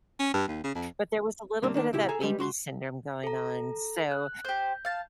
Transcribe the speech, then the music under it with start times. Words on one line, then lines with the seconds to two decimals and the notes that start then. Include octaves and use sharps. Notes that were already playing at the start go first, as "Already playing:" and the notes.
but there was a little bit of that baby syndrome going on. So,
0.19 C#4
0.34 G2
0.48 D#2
0.64 C#3
0.75 F2
1.62 D2 G2 C3 A#3 D4
1.74 D#3 A#3 D4
1.93 A#2 C#3 E4 G4
2.08 G#4 A4 G#5 A#5
2.20 G3 G#3 G4 A4 B4
2.39 C#2 F#4 C6
3.24 A4 A#5
4.11 F#6
4.45 G4 C5 G6
4.85 F5 A5